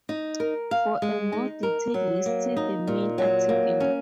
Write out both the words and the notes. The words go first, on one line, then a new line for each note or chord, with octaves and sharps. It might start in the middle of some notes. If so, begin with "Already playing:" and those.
For a more detailed list see the main article.
D#4
A#4
F5
G#3
D#4
A#4
F#3
A#3
D#4
A#2
F#3
A#3
C#4